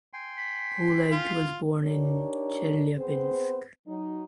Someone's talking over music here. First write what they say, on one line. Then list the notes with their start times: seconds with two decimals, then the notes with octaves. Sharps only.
Oleg was born in Chelyabinsk.
0.13 G5 G#5 C6
0.37 B6
1.12 F4
1.84 D4 D#4 G4 A#4 C#5
2.98 B3 C4 G#4 C5
3.87 F#3 D#4